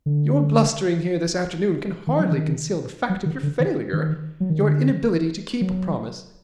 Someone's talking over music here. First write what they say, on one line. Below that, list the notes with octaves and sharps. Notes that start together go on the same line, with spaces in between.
Your blustering here this afternoon can hardly conceal the fact of your failure,—your inability to keep a promise.
D3
D#3
F#3
D#3
F#3
D#3
D3
D#3
D#3
F#3
D#3
D3
F#3